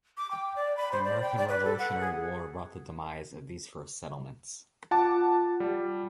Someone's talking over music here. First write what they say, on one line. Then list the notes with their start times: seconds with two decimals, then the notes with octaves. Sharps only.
The American Revolutionary War brought the demise of these first settlements.
0.17 D6
0.31 G5
0.56 D5
0.77 B5
0.92 C5
1.04 D5
1.22 G5
1.37 D5
1.49 B4
1.64 A4
1.79 F#5
2.00 G#4
4.91 F4 F#5 A5 D6
5.60 G3